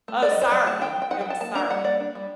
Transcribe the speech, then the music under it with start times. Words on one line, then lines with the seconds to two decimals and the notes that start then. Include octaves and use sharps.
oh, Sorry, it was Sorry.
0.08 A3
0.22 A3 D5
0.32 D#5
0.37 F#3
0.42 C5
0.51 F#3 D5
0.66 A3 A5
0.81 D#3 G5
0.96 F#3
1.02 G5
1.11 D#4 F#5
1.21 G5
1.26 F#3 A5
1.40 A#3 A5
1.55 D4 A#5
1.70 G3 F#5
1.85 A#3 D5
2.00 D4
2.15 G3